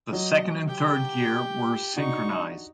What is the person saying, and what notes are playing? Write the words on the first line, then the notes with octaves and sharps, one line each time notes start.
The second and third gear were synchronized.
F#3 D#5
G4 G5
D4 D#4 F#4 C#6